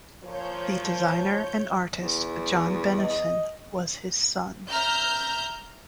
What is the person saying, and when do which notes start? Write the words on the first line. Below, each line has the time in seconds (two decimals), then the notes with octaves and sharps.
The designer and artist John Benison was his son.
0.24 A#2 F3 C#5 G6
1.94 E2
2.99 D#5
4.69 E5 A#5 F6 G6